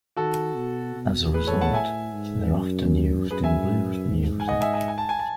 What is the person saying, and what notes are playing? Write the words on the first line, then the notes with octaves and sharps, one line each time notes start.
As a result, they are often used in blues music.
D#3 F#4 A4
B2
B2
A2 G#4 B4
A4 C#5
F#5 A5
E5 G#5
G#2
F#2
F#2 G#4 B4
E5 G#5
G#2
G#5
D#5 F#5
E5 G#5
E5 G#5
G#5
A5
G#5
A5